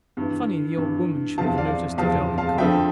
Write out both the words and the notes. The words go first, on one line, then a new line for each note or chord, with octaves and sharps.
Funny the old woman should have noticed the velvet collar.
G2 E3
G2 E3
E2 C3 F3 F5 A5
D5 F5
E2 C3 F3 F5 A5
F5 A5
F2 D3 F3 E5 G5